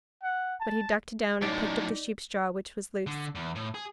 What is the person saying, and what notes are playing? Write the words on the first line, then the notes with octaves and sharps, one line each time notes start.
But he ducked down and picked up the sheep's jaw, which was loose.
F#5
A5
F#2 A2 D#4 G4 D5
D3
E2
A2
G#4